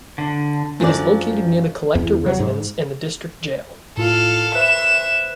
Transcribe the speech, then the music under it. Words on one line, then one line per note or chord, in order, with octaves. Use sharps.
It is located near the collector residence and the district jail.
D3
F#2 F3 D4 D5
E2
F#3
G#2
A2 F4 A4 F5
B4 C5 E5 F#6 E7